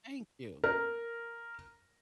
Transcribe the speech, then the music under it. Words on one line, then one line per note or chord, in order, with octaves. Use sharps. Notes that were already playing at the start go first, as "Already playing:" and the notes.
Thank you.
A#4